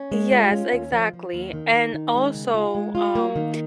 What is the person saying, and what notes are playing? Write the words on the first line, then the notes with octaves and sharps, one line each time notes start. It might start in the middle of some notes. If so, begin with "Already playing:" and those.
Yes, exactly. And also, um,
Already playing: C#4
G#3
F4
C#4
D#2
F3
F3
D#2
D#3
D#4
D#3
G#3
C#3
F4
G#3
F4
A#3
D#3